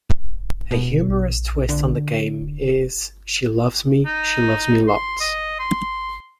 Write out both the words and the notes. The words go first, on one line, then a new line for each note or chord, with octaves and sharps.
A humorous twist on the game is She loves me, she loves me lots.
D#1
B2
A#1
D3
D1
D#4
C6
D#5
C6